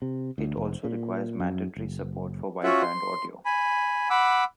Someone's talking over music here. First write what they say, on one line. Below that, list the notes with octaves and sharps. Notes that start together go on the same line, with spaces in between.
It also requires mandatory support for wideband audio.
C3
D2
F1
A#2
F#2
F#1
C#4 F4 F#4 E5 F#5
C6
G#5 B5
F#5 B5 D6 E6